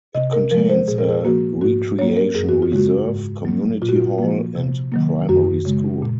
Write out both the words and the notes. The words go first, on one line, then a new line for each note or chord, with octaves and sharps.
It contains a recreation reserve, community hall and primary school.
C3 D#5
A#4
F3 G#3 A#4
C5
A#2 G#4
A#4
G#4
F3 A#3 F#4
G#2 F#4
F#3 A#3 C#5
A#4
F#2 G#4
F#4
F4
C#3 G#3 F#4
G#2
F#3 A#3
A#2 F4
F#4
F4
F3 A#3
C3
D#3 F#3 A#3
F#2 F#4
C#3 G#3
A#2